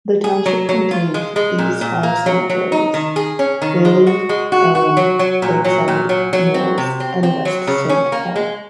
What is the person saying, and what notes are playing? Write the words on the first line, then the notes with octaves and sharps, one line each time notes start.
The township contains these five cemeteries: Bailey, Elim, Lakeside, Mills and West Saint Paul.
G#4
F#3
F#3
F4
G#3
G#3
A#2
A#2
A#3
F#3
F#3
D#4
D#3
G#4
C#4
D#3
G#3
F#4
G#3
F#4
F#4
F#3
F#3
A#2
F#3
A#2
F#3
F#3
C4
C3
C4
C4
F#3
C#3
C#4
A#3
G#3